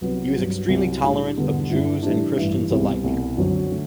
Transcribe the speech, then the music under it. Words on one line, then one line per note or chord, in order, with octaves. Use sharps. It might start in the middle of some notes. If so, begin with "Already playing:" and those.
He was extremely tolerant of Jews and Christians alike.
C2 C3 F#3 B3
G2 F#3 C4
C2 C3 F#3 C4
A2 G3 D4
E1 E2 D3 G3 B3
G2 D3 A3 E4
A2 E3 G3 D4
A1 G2 E3
C2 B2 G3 C4 E4
C2 B2 A3
F#2 D3 F#3 C4
D3 A3